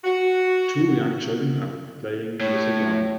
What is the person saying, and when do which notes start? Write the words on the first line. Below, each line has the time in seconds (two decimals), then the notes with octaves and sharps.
Two young children are playing with a drum.
0.05 F#4
2.41 A2 C#5